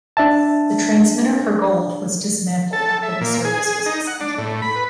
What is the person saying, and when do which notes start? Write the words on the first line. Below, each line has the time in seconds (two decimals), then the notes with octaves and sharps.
The transmitter for Gold was dismantled after the service was discontinued.
0.17 D4 E5 A5
2.73 A4
3.03 E5
3.21 A#2
3.45 G#4
3.86 D#4
4.07 F#5
4.21 D4
4.38 A2
4.62 B5
4.76 B4